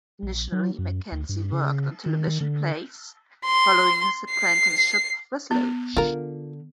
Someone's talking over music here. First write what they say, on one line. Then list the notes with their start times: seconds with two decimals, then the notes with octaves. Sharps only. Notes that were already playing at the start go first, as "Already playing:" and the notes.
Initially, Mackenzie worked on television plays, following his apprenticeship with Loach.
0.23 A#1
0.52 F#3
0.79 F#2
1.12 D2
1.29 G2
1.53 C#3
2.06 D#3
2.28 D#3
2.41 D3
3.46 C6
4.32 C7
5.51 B3
5.97 D3 F4 A#4